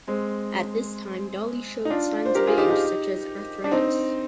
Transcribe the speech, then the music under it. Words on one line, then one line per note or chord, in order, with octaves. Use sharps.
At this time Dolly showed signs of age such as arthritis.
G#3 C4
D#4
D4 F4
C5
G4 A#4
F4 G#4
D#4 G4
D#4 G4
D4
C4 D#4